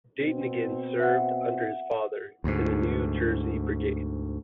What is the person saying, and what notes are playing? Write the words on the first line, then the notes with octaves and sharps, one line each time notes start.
Dayton again served under his father in the New Jersey Brigade.
B2 C4
E5 F#5
D2 G#2